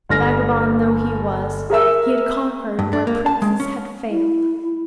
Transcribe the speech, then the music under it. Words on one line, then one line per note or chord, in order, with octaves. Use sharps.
Vagabond though he was, he had conquered where princes had failed.
G1 F6 A#6
G#4 A#4 E5 E6
G2
D4
A#3
A5
G#3
C#4
E4